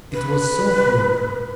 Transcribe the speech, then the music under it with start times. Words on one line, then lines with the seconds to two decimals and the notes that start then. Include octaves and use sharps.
It was so, however.
0.13 B4